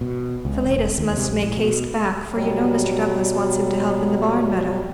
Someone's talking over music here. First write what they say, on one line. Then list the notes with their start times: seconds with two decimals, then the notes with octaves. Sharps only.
Philetus must make haste back, for you know Mr. Douglass wants him to help in the barn meadow.
0.01 B2
0.45 C#2
0.66 E1
0.98 D#2
1.17 C3
1.29 A#1
1.43 A2
1.57 B2
2.31 B2 F#3 G3